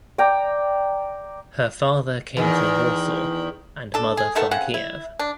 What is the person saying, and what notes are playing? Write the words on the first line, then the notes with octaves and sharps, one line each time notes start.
Her father came from Warsaw and mother from Kiev.
D5 G5 A#5
E2 D#3
D4 A4
G#4
D#3 A3 B3 A4
C#3 C4 F#5
E4
D4